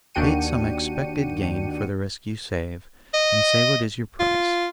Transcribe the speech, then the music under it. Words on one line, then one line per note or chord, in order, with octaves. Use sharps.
Bate some expected gain for the risk you save, and say what is your price.'
D#2 D4 F#4 G5 C#7 D#7
D#5
F4